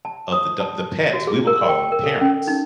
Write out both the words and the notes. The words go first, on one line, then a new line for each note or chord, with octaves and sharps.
of the do the pets, we would call them parents.
A5
D#6
A5
F#4
G#4
A#4
G5
A#4
A4
C#4
D#4